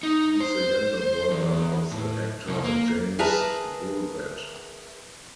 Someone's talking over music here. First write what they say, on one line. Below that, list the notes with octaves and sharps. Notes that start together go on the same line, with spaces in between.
He's the younger brother of actor Jaimz Woolvett.
D#4
C5
E2
A2
C2
A#3
G#4 A#4 B4 E5 A5 A#5